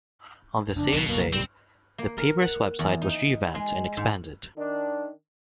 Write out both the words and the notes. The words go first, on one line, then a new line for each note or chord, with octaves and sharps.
On the same day, the paper's website was revamped and expanded.
F1 E2 D4
F#1 B1 F2 B2
A#3
G3 C4
A#3
A#4
F#5
E2
D#4
G#3
G#2
D#3 D4